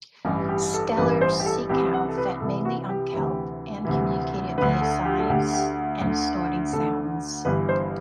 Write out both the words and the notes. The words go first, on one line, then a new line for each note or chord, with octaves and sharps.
Steller's sea cow fed mainly on kelp, and communicated via sighs and snorting sounds.
A1 G2 E3 G4
G4
A4
A1 G2 E3 B4
C5
G4
A4
C2 C3 E3 G4
F#5
A4
B4
C2 C3 E3 A4
F#4
G4
D2 C3 E3
D2 C3 E3
D2 D3 B4
A4
G4
A4
D2 D3 G4
G4
D2 D3
D2 D3 A4
G1 G2 E3 B4
C5